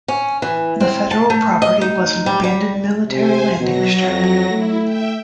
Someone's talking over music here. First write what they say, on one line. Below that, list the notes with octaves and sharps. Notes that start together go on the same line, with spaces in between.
The federal property was an abandoned military landing strip.
C#4
E3
C4
A5
A3
D#5
D#4
G3
G3
C3 C5 G#5
B2 F#3 A#6
F2
A3 E4
E5 G5